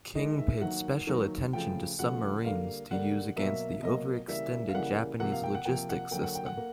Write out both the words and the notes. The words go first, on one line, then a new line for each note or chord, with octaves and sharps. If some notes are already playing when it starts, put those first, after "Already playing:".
King paid special attention to submarines to use against the overextended Japanese logistics system.
D#3 G#3 D#5
E5
D#3 F#3 A#3 F#5
D#3 F#3 A#3
C#3 F3 A3 G5
C#3 F3 A3 F#5
D3 G3 A#3 F5
D3 G3 A#3 F#5
B2 F#3 A#3 E5
B2 F#3 A#3 D#5
C#3 E3 G3 A#3 E5
F5
C#3 E3 G3 A#3 F#5
C3 F3 A#3 F#5
F5
G5
F#5
C3 F3 A#3 G5
F#5
D3 F#3 A#3 G5
F#5
G5
F#5
A#3